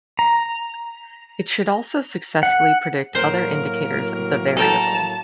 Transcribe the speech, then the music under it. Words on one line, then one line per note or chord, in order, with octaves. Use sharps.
It should also successfully predict other indicators of the variable.
A#5
F#5
A2 F#3 A#3 A#4 C5
A4 G5 A5 A#5